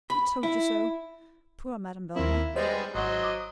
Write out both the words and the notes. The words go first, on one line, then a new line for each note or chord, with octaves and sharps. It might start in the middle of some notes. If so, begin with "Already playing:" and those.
I told you so. Poor Madame Velma!
B5
E4
D#2 A#3 C4 E4
G3 G#3 B3 C5 D#5
G#1 F#3 C5 D#5 F#5
D6 D#6